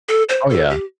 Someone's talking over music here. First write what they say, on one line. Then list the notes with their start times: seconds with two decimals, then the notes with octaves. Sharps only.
Oh yeah.
0.09 A4
0.29 C5
0.50 A4
0.70 G4